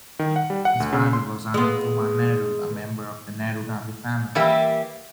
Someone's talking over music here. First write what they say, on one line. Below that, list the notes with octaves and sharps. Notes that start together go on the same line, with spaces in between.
His father was Anand Kumar Nehru, a member of the Nehru-Gandhi family.
D#3
F#5
G3
F#5
D2
C#3
C6
G#3 B3
E3 G3 A#3 G4 E5